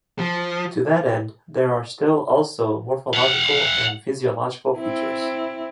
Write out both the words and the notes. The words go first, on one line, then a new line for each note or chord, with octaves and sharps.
To that end, there are still also morphological and physiological features.
F3
F5 F#5
C4 E4